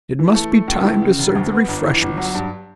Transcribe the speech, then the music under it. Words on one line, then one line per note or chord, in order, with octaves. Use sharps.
It must be time to serve the refreshments.
E3
A3
A3
C#2
E3
C#3
E1
D2
B3
G1
E3
G1
F#3
G2